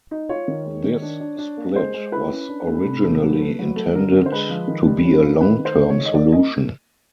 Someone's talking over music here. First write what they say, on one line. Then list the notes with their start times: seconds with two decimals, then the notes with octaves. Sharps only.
This split was originally intended to be a long-term solution.
0.11 D#4
0.29 F4 C#5
0.48 D#3
0.65 G#3
0.84 D#3
1.02 D4
1.20 D4
1.38 D4
1.57 A#3
1.75 G#3 C5
1.94 G#3
2.12 E4 B4
2.31 C#4
2.49 D4
2.67 A3
2.86 C3
3.03 A3
3.22 F#3
3.40 A3
3.59 F#3
3.76 A3
3.95 D3 A#4
4.13 D3
4.26 C5
4.32 G#3 B4
4.50 F3
4.68 D#3
4.86 G3
5.05 C#4
5.23 A#3
5.41 D#3 B4
5.59 D#3
5.65 C5
5.78 G#3
5.90 C#5
5.96 D#3
6.05 D#5
6.14 A#3 D5
6.32 D#5